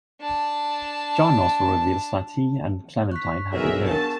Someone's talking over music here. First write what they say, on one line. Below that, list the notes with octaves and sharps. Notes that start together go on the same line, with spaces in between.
John also reveals that he and Clementine had eloped.
D4 A5
C#5 F#6 B6
B1 F#4 G#4 A#4 E5
B3 D4 A#4 A5